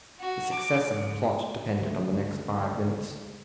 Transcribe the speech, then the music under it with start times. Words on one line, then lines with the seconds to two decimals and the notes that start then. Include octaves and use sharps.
The success of the plot depended on the next five minutes.
0.19 F#4
0.52 D6
0.88 G#2
1.81 C#2 D3 A3